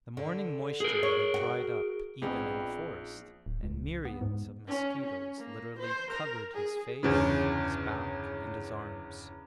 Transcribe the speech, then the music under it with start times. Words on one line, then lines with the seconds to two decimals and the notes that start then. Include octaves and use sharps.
The morning moisture had dried up even in the forest, and myriads of mosquitoes literally covered his face, his back, and his arms.
0.17 D3
0.80 G#4 A#4
1.03 C#5
1.34 F#4
2.22 A#1 G3 B3 C4 D#4 F4 G#4
3.46 D1
3.63 C#2
4.05 B3
4.21 G#2
4.67 C#4
5.05 C#4
5.38 A#3
5.79 C5
6.11 A#4
6.53 G#4
7.03 G1 E2 C#3